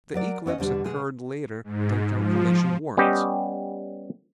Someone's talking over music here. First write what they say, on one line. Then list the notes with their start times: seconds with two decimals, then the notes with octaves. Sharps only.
The eclipse occurred later than calculation warrants.
0.14 F#3 A#4 D5
0.46 B3 C#4 C#5 D#5
0.58 E2 B2 D3 G3 D4 B4
0.84 B2 G#3 G#4
1.64 G#2
2.14 F3
2.97 G3 B3 C#4 G4 D#5